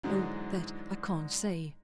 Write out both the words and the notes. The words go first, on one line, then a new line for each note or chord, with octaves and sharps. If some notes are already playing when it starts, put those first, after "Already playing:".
"Oh, that I can't say."
G#2 D3 E3 F#3 G#3